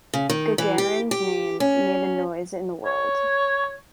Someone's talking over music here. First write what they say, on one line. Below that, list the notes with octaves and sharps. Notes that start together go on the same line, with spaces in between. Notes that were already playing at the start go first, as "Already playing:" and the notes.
Gagarin’s name made a noise in the world.
C#3
D#3
E3
G4
G4
C#4
C#5